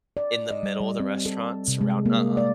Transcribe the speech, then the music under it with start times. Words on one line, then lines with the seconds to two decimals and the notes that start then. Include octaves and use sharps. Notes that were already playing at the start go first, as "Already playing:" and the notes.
in the middle of the restaurant surroun Uh-uh.
0.17 D5
0.51 D#5
0.63 G3
0.80 G3
1.00 C4
1.26 A4
1.68 C3
1.81 G#3
2.06 A#3
2.37 D5